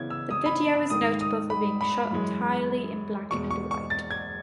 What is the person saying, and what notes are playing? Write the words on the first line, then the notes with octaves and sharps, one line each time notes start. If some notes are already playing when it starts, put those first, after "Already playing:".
The video is notable for being shot entirely in black-and-white.
Already playing: C#3 E3 B3 E4 G#6
E6
D#6
B5
B5
G#2 D#3 A3 D#6
D#6
B5
B5
F#2 E3 G#3
E2 B2 G#3 C#6
C#6
C#6
A6
G#6